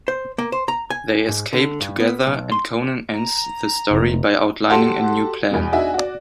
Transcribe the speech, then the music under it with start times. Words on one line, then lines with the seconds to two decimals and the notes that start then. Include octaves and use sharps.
They escape together and Conan ends the story by outlining a new plan.
0.08 C5
0.38 A#3
0.52 C5
0.68 A#5
0.90 G#5
1.29 G#2
1.53 D3
1.80 G2
2.00 B3
2.27 B1
2.52 C6
3.14 A#5
3.90 F1
4.70 F#4 G4 A4 F#5 A5 C6
5.51 E2 B2
5.72 D4 D#4 F#4 E5 G#5
5.94 F#4 D5